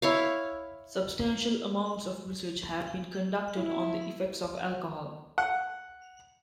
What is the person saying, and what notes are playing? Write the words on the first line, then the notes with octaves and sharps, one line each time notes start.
Substantial amounts of research have been conducted on the effects of alcohol.
E4 C#5 F5
E4
F#5